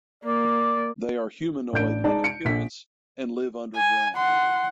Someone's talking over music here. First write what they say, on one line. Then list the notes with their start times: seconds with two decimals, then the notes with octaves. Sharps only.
They are humanoid in appearance and live underground.
0.24 A#3 D5
1.73 A1 D4 G6 D7
2.04 G#3 D#4 D5 A5
2.24 C#7 D7
2.45 A#1 B6
3.77 G#5
4.17 F#5 C6